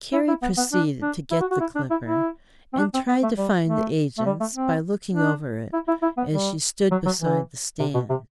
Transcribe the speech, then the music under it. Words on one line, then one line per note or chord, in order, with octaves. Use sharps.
Carrie proceeded to get the "Clipper," and tried to find the agents by looking over it as she stood beside the stand.
E4
E4
B3
B3
D4
D4
E4
F#4
F#4
E4
D4
E4
E4
C4
D4
C4
B3
A3
G3
A3
A3
G3
A3
C4
D4
E4
E4
E4
B3
G3
F#3
F#3
E3
C3
B2
C3